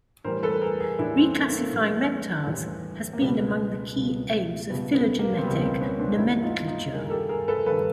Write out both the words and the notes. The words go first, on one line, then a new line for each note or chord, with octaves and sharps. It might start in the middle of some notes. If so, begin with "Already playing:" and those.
Reclassifying reptiles has been among the key aims of phylogenetic nomenclature.
A2 E3 G3 A#4 C5
A4 B4
B4
G#4 A#4
G#4 A#4
A2 E3 G3 D4 E4
C4 D4
A#3
A#3
A2 E3 G3
A2 E3 G3
A#3
C#2 B2 G3 B3
C#2 B2 G3
C#2 B2 G3 B3
B3
A#3
C4
C#2 B2 G3 B3
A#3 C4
B3 C#4
C4 D4
D#4
G2 D#3 G3 D4 E4
D#4 F4
D#4 F4
G2 D#3 G3 G#4 A#4
A#4
G4 A4
G#4 A#4
A4 B4
G2 D#3 G3 A4 B4